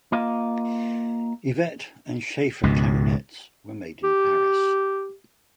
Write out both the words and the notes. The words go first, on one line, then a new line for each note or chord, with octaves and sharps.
Evette and Schaeffer clarinets were made in Paris.
A#3 F4 D#5 F5
C#2 G#2 B2
G4